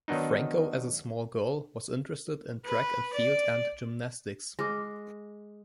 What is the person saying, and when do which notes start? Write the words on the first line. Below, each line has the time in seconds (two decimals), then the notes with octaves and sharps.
Franco as a small girl was interested in track and field and gymnastics.
0.08 D#3 F#3 B3 D4 D#4
2.66 B4
3.13 D5
4.59 G#3 D6 F6 A#6